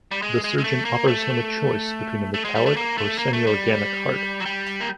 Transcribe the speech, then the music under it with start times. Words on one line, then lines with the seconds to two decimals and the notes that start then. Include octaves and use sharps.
The surgeon offers him a choice between a metallic or semi-organic heart.
0.11 G3
0.22 G#3
0.44 G#3
0.58 G#3
0.64 A3
0.85 A#3
1.07 A3
2.34 A3
2.45 G#3
2.55 G3
2.66 A3
2.77 A#3
2.98 A3
3.18 A#3
3.33 A3
3.47 G3
4.40 F#3
4.46 G3
4.81 A#3